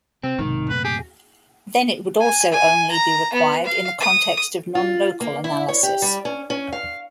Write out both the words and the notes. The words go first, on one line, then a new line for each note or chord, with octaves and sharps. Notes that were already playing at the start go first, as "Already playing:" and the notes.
Then it would also usually only be required in the context of nonlocal analysis.
C3 C4
B1 G#2 C3 D#3
F#2 A#2 A3 B4
G4 G#4
G#5
G#5
A#5
B3
F5
D#6
F4
A#3
E4
C#5
G4
G3
C#4
C#4
F5